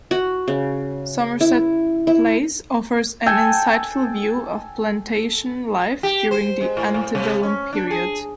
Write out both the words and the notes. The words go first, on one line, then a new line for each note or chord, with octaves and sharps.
Somerset Place offers an insightful view of plantation life during the antebellum period.
F#4
C#3
E4
E4
A4 G5 G#5
G4
C5
G#3
A2
A2
C3
C#4
D4
G#4